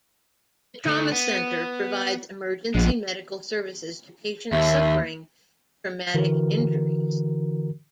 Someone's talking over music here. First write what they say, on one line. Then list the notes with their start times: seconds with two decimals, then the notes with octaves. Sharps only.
The trauma centre provides emergency medical services to patients suffering traumatic injuries.
0.86 D3 A3
1.12 B3
2.75 A#1 G#3 B3
4.52 D#2 E5
6.14 D3 E3 F#4 A#4